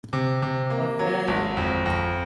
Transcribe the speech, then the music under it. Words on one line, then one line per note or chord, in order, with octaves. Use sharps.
The Fig.
C3
C3
A#3
F#3
G#1
F2
F2